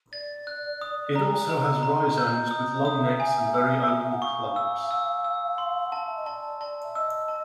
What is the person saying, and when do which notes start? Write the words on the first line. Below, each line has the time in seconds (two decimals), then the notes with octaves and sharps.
It also has rhizomes with long necks and very open clumps.
0.13 D5 A6
0.47 F#6
0.81 D#6
1.16 A#5
1.49 D#5 A#5
1.83 A#5
2.18 G6
2.51 D#6
2.85 E5 D#6
3.20 G#5
3.54 D#6
3.88 D#6
4.11 F#5
4.22 F5 C#6
4.56 E6
4.91 E6
5.24 E6
5.58 C6
5.86 F#5
5.92 F5 A5
6.06 E5
6.17 D#5
6.26 D5 A5
6.61 D5 A5
6.84 E5
6.95 D#5 E6
7.28 A5